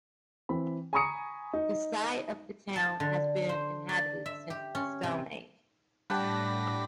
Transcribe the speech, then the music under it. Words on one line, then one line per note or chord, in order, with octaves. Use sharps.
The site of the town has been inhabited since the Stone Age.
E3 C4 B5
G#5 A#5 B5 C#6 D#6 C#7
D#4
A5
D3
C5
D5
E5
G4
C#4
C3
A2 G3 D4 F#5 G5 A5 B5 A#6